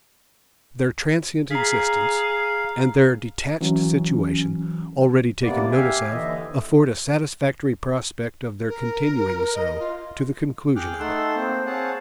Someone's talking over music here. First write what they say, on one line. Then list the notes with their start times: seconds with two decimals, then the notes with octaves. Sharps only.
Their transient existence, and their detached situation, already taken notice of, afford a satisfactory prospect of their continuing so, to the conclusion of it.
1.51 G#4 F5 A#5 B6
3.61 E3 F#3 C#4
5.43 D#2 C3 A#3 B3 D5
5.71 G4 E5 F5 G#5
6.09 D#2 D3 E3 D#5 E5
8.68 A#4
9.54 D#5
9.79 F4
10.76 G#4 G5 D6 F6 F#6
11.00 A3 D#4 A4 F#5 C6 E6
11.36 A#3 C4 C5
11.66 C4 G#4 C#5 F5 F#5 A5